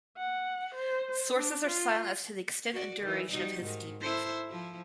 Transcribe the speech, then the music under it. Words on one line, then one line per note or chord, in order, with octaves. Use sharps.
Sources are silent as to the extent and duration of his debriefing.
F#5
C5
D4
F4
F#4 D5
D#3 E3
G3 D#4 F#4
G#2 D#3
E4 A4 C5
F3 E4